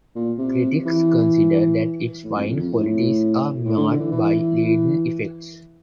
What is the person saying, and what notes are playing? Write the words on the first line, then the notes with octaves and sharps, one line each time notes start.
Critics consider that its fine qualities are marred by leaden effects.
A#2
C3
E3
A2
F2
F2
F2
A2
A2
D3
D3
E3
E3